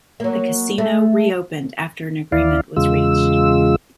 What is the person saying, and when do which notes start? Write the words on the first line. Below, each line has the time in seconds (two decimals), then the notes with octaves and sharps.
The casino re-opened after an agreement was reached.
0.20 F#3 A#3
0.78 A3
2.32 D#2 E4 D5 F5
2.76 E2 C#3 G#3 F4 E6